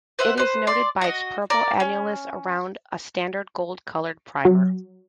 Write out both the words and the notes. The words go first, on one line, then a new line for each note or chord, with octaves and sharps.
It is noted by its purple annulus around a standard gold-colored primer.
B4 C5 E5 F#5
B4 C5
D5 C6
F#4 D#5
A#4 D5
C#4
F#3